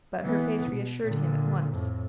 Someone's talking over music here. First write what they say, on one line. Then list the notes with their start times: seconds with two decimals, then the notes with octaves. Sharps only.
But her face reassured him at once.
0.23 E3 B3
0.70 B2
1.04 A#2 D3
1.72 F2 A2